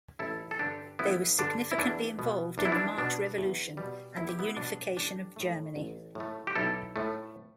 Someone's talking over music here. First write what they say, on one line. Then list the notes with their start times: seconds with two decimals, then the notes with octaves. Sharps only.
They were significantly involved in the March Revolution and the unification of Germany.
0.19 A1 E4 A4
0.51 A4
0.59 G2 D3 D4 G4
0.99 A1 B3 E4
1.38 G2 D3 D4
1.72 E4
1.78 E2 D4
2.19 B2 B3
2.58 E2 D4
2.65 E4
2.72 D4
2.98 B2 B3 D4
3.38 E2
3.77 B2 G3
4.17 E2 E4
4.29 G4
4.39 B3 E4
4.57 B2 G3 D4
4.97 A1 D4 G4
5.36 A2 A3
5.76 A1
6.15 A2 A3
6.47 G4
6.55 B1 E4 A4
6.96 A2 A3